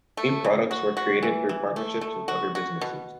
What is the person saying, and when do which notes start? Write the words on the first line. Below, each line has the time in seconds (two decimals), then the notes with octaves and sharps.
New products were created through partnerships with other businesses.
0.17 A3
0.44 C#3
0.71 F#4
0.97 F#4
1.23 E3
1.49 E3
1.76 A3
2.01 A3
2.28 F#4
2.55 F#4
2.81 B2